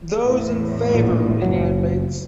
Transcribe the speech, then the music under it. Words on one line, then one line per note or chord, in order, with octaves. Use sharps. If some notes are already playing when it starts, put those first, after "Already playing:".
"Those in favour..." began Bates.
E2 A2
A#1 A#2
F#1 C2 F#3